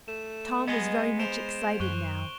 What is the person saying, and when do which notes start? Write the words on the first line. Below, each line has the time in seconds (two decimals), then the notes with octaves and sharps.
Tom was very much excited now.
0.08 A3 E7
0.68 G#3 B3 D#5
1.20 C5 D7 E7 F7
1.80 F#2 C#6 F#6 G7